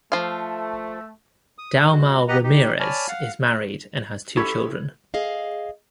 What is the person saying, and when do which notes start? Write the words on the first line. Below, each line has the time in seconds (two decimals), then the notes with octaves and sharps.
Dalmau Ramirez is married and has two children.
0.12 F3 A3 F5
1.58 D#6
1.92 G#3 F#4
2.28 B3 G4 B4 D#5 F#5 A#5
2.43 D#4 G4
2.80 C#5 D5 G#5 A5 B5 F6
3.08 F5 F#5
4.37 E4 G4 A4 B5 C#6 G#6
5.14 G#4 D#5 F5